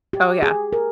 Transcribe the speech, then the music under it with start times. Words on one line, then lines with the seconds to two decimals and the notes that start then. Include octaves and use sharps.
Oh, yeah.
0.13 G4
0.43 G#4
0.73 A#4